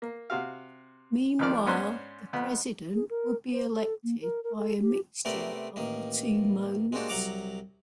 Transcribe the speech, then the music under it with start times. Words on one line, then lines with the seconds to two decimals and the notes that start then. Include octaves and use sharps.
Meanwhile, the president would be elected by a mixture of the two modes.
0.02 A#3
0.30 C3 F#4 F5
1.39 F2 D#3 F3 D5 F6
1.66 G#2 B3 C#4 D4 C5 F#6
2.33 F2 B3
2.94 G#4
3.10 A#4
3.52 C5
3.73 A4
4.04 A#3
4.21 A#4
4.44 A#4
4.58 A4
4.82 G4
5.25 C3 A3 B3 A#4 D5 C6
5.76 A1 D#3 A#3
6.92 G#3 A#3 C4 D4 F#4 G4
7.09 C2 F#3 F#5 A#5 D6